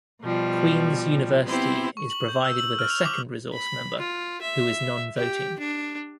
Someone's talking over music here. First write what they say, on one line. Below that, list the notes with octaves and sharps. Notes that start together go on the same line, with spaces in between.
Queen's University is provided with a second resource member who is non-voting.
B2 F3 G3
B3 C4 E4 G4 C5
C#6
F#7
G6
E6
F#7
F6
F7
D6
B5
F4
E5
G4
D4